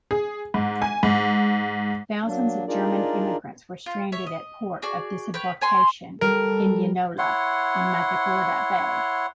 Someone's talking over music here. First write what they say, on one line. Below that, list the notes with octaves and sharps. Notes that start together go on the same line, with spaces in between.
Thousands of German immigrants were stranded at port of disembarkation, Indianola, on Matagorda Bay.
G#4
G#2
G#5
G#2
F#3 A#3 D4
D4 D#4 F4 G#4 A#4 D5
F4
C#5 E5
D#5
F#4 G#4 D5
B4 C#5 G5
C#5 G#5 C6
G3 A4 A#4
E4 C#5 F#5 C6